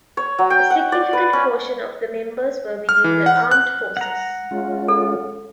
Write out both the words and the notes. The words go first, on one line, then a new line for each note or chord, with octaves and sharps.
A significant portion of the members were within the armed forces.
C#5
F#3
G5
F#5
D5
B4
C#4
F6
E3
F#5
F#6
F#5 A#5
G#3 C#4 F4
A4